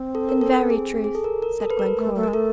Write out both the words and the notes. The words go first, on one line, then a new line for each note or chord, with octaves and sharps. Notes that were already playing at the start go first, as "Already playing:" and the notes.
"In very truth," said Glencora.
Already playing: C4
A4
A#4
A4
G#4
G#4
A4
A#4
A#4
A4
B4
A#4
A3
A3
G#3 A#4
A3 A4